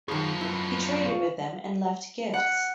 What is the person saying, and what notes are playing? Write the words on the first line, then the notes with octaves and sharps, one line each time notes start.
He traded with them and left gifts.
F#2 D#3 F3 G#4
E4 B4
F4 C#6
F#5